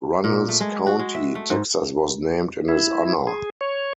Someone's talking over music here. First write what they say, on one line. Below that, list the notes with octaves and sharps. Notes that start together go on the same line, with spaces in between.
Runnels County, Texas was named in his honor.
A#2
A3
G#3
F#4
G#3
E5
A3
G#2
E4
G#4
C#5